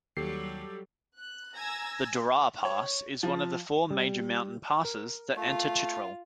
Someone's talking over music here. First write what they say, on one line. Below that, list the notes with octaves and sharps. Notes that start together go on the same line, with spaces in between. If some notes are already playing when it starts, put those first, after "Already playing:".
The Dorah Pass is one of the four major mountain passes that enter Chitral.
D#2 F#3 G3 G4 A4 C7
F#6
G#5 A#5 E6 G#6 A#6
C#5
F3
G3
A#4
A3 F4